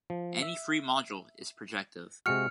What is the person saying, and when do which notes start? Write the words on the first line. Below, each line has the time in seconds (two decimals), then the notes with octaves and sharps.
Any free module is projective.
0.10 F3
0.42 E5
2.26 C3 G#3 F#4 F6 C#7